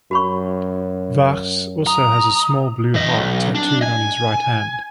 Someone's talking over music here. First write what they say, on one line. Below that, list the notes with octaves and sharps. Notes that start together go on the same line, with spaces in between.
Vachss also has a small blue heart tattooed on his right hand.
F#2 F#4 B5 C#6
A#5 D#6
E3 D#5
B1
D4
G#5